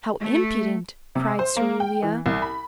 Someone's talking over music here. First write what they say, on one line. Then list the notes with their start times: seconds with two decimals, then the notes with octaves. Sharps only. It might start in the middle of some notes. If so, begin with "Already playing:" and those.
"How impudent!" cried Cerulia.
0.21 A3
1.15 C3
1.39 C5
1.57 A#3
1.80 G5
2.03 E3
2.26 C2
2.42 B5